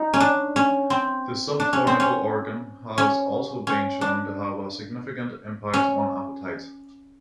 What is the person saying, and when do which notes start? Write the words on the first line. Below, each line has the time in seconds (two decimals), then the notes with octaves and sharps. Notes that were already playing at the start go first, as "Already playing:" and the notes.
The subfornical organ has also been shown to have a significant impact on appetite.
Already playing: D#4
0.14 C#4
0.20 D4
0.56 C#4
0.90 C4
1.60 D4
1.73 C#4
1.87 C4
2.00 C#4
2.98 C#4
3.67 C#4
4.01 D4
5.74 C#4